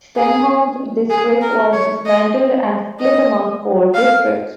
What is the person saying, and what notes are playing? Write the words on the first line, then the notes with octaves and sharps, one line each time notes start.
Stenholm's district was dismantled and split among four districts.
G#4
G#4
A#4
C#5
D#5
D#5
F5